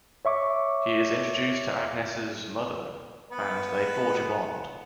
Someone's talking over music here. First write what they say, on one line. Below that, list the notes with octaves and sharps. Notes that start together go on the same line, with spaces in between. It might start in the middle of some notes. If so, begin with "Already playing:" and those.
He is introduced to Agnes's mother, and they forge a bond.
C#5 E5 C#6 D6
B3 B4